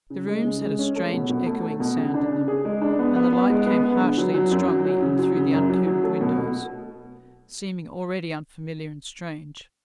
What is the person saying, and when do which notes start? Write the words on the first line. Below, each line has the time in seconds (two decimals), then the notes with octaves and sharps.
The rooms had a strange echoing sound in them,--and the light came harshly and strongly in through the uncurtained windows,--seeming already unfamiliar and strange.
0.10 C#3
0.27 G#3
0.44 C#3
0.61 G#3
0.79 C#4
0.96 A3
1.12 B2
1.29 B2
1.46 A3
1.63 A3
1.80 B2
1.97 C#3
2.14 D4
2.31 C#3
2.48 G#4
2.65 G#3
2.82 D4
2.99 B3
3.16 B3
3.32 B3
3.50 G#3
3.66 B3
3.83 B3
4.00 D3
4.18 F#3
4.34 F#3
4.51 F#2
4.68 F#3
4.85 F#3
5.02 C#3
5.19 F#3
5.36 C#3
5.53 F#2
5.70 F#3
5.86 F#3
6.04 A3
6.21 B2
6.38 B2